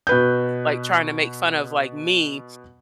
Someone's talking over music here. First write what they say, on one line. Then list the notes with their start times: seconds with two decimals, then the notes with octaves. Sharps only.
like, trying to make fun of, like, me?"
0.07 B2 B4 G6